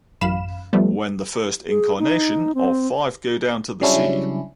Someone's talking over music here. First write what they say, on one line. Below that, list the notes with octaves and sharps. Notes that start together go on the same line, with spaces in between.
When the first incarnation of Five Go Down to the Sea?
A1 F#2 F5 B5 E7
F3 G3 A3 B3
G#4
D#4
C4
C#3 F#3 G3 C#4 D4 E4